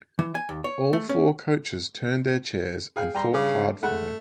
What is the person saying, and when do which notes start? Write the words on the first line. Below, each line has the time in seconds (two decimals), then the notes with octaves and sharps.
All four coaches turned their chairs and fought hard for her.
0.19 E3
0.35 G#5
0.49 D#2
0.64 C#5
0.93 A3
1.09 C#4
2.96 G#4 F5 G5
3.15 G3 G5 A#5 C6
3.33 G2 C#3 D6
3.83 G#3 A3 F#5 B5